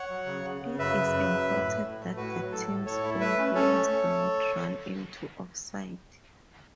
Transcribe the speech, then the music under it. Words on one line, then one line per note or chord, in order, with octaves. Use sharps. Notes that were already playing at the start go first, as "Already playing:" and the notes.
It is important that the teams own players do not run into offside.
Already playing: C#5 F#5
F#3
C#3
C#3
C#3
F#2 B4 E5
C#3
F#2
F#2
A2
A2
A2
A3
A2 F#4 B4
F#3
A2 A4
A2
A2 A4 C#5
E4
A3 B4 E5
C#4
C#4 A4 C#5
A3
A3